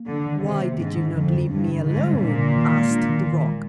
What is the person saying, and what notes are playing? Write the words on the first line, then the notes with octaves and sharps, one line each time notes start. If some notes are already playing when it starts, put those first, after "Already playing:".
'Why did you not leave me alone?' asked the rock.
Already playing: A#3
D3 D4
D#3
C3 D#3
A#3
G#2 D4
D#3
F2 D3
G3
G2 D4
D3
G#2 D3
G3
A#2 D4
D3
D#3
G#3
D4
D#3
D#3
G#3